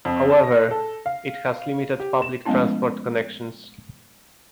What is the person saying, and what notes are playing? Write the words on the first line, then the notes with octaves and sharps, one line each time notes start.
However, it has limited public transport connections.
F2
A5
A#6
A4
F5
G4
E7
F3 G#3 A3 B3 C#4 E4